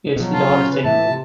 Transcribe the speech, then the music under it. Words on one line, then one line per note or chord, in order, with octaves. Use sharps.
it's the oddest thing.
B2 F3 F#3
F4 A5
C#3 C#4
B4
A2 E3 E5 A5
C3